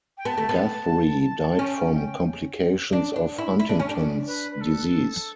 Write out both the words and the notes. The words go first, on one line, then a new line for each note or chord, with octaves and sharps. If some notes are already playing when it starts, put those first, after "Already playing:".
Guthrie died from complications of Huntington's disease.
G5
B3 A5
A3
B3
A5
C#4 G5
G5
D4
D4
E4
E4
D4
C#4
D4
B4
B4
A4